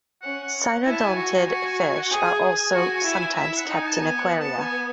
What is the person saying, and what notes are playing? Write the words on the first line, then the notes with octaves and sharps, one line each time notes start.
Cynodontid fish are also sometimes kept in aquaria.
C#4 F#5
F#5
F#5
E4 G#5
A5
G#5
F#4
F#4
F#5
G#4 G#5
F#4
E4
E4 E5
F#5
D#4
G#5
A5
B3 G#5
F#5
A5
G#5